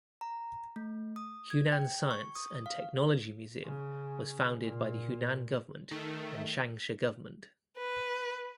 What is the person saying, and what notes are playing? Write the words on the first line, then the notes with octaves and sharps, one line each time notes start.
Hunan Science and Technology Museum was founded by the Hunan government and Changsha government.
A#5
A3
D#6
G#6
G5
C#6
D#6
F5
C#3
A#2
D#3 A3
B4